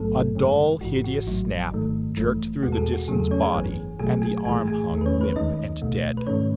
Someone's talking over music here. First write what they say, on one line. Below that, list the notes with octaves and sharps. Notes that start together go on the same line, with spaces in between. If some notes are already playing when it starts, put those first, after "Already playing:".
A dull, hideous snap jerked through the Disan's body and the arm hung limp and dead.
Already playing: A1 G#2 F#3 A3 B3 A4
F#2 C#3 G#3 B3
G#1 G#2 E3 F#4
F#4
A1 A2 F#3
G#1 G#2 D#3 A3
G#1 F#2 E3 A3
E2 B2 G#3 B3 F#4
A4
G#4
F#4
E2 C#3 F#3 A3 G#4
A3 A4
C#4 C#5
G#4 G#5
G#1 F#2 E3 B3
B1 B2 F#3 A3 G#4 G#5
G#4 G#5
B1 A2 E3 A3 G#4 G#5
G#4 G#5
E2 D#3 A3
B4
C#4 C#5
B3 B4
D#2 D#3 G#3 D#4 D#5
C#2 B2 A3
B4
G#2 D#3 A3 C#4 C#5